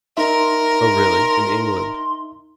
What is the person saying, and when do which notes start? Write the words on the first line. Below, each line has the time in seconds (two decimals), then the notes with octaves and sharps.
"Oh, really--in England?"
0.17 D#4 A#4 E5 C6